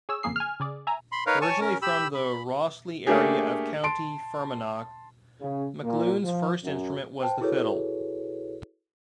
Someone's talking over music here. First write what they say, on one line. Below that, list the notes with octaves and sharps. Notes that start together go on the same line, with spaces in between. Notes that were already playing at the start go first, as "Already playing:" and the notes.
Originally from the Rosslea area of County Fermanagh, McAloon's first instrument was the fiddle.
G#4 C#5 E6
A1 F2 C#3 A#3 G#4 C7
G#5 F6
C#3 G#4 D5
E5 G#5 A#5
B5 C6
D#4 A#4 B4 C#5 F5
C#5 G#5 A5 C#6
C#4 A#4
G4 B5 E6
B5
A3 A#3 D4 G4 G#4
A5 C6 D7
C#3
A#2
F3
F#2
C5 G5 A5
E4 F#4 G#4 A4 B4 C#5